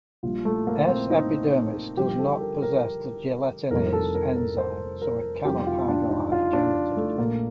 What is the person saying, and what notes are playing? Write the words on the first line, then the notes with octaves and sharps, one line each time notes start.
"S. epidermidis" does not possess the gelatinase enzyme, so it cannot hydrolyze gelatin.
A#1 A#2 G3 F4
A3
A#3
C4
D#4
G1 G2 F3 G4
A4
A#4
A#4
F1 F2 D#3 G3 A#4
A4
A#4
A#4
C5
A#4
F1 F2 D#3 G3 G4
F4
D4
D#4
F4
D4
A3
A#1 A#2 A3 A#3